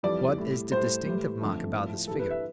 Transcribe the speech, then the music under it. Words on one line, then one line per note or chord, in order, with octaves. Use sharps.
What is the distinctive mark about this figure?
F2 E3 G3 D5
A2 G3
A2 G3 C5
A2 E3 G3
F2 D3 A3
A2 F3 A3
G2 E3 G3 A4
B4
E5